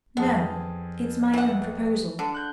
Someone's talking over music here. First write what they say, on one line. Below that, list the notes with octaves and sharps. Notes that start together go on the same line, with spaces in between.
"No; it's my own proposal."
F2 B3 G#4 A5
E3 F#5
D3
F#6 G6